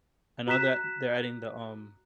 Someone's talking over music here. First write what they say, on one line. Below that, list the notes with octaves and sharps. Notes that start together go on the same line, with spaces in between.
I know that they're adding the, um,
F#4 A#5 F#6 B6 E7